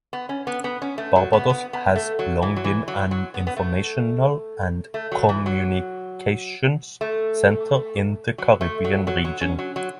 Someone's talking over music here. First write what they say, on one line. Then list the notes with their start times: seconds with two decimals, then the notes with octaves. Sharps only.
Barbados has long been an informational and communications centre in the Caribbean region.
0.13 B3
0.29 C#4
0.47 B3
0.64 B3
0.82 C#4
0.98 A3
1.16 F#3
1.33 B3
1.50 B3
1.73 B3
1.96 A3
2.19 F#3
2.42 E3
2.56 F#3
2.64 E3
2.88 F#3
3.11 F#3
3.34 B3
3.47 B3
3.56 A3
4.94 A3
5.12 F#3
5.29 E3
5.46 F#3
7.01 A3
8.38 F#3
8.61 A3
8.84 F#3
9.07 F#3
9.25 F#3
9.41 C#4
9.59 F#3
9.76 F#3